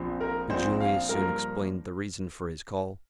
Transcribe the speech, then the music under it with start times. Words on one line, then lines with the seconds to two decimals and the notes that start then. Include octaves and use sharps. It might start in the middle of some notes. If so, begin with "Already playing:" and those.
But Julius soon explained the reason for his call.
Already playing: A#1 A#2 F3 C4
0.21 A#4
0.50 A#1 A#2 F3 C4 C5
0.80 F5
1.09 G2 F3 A#3 A#4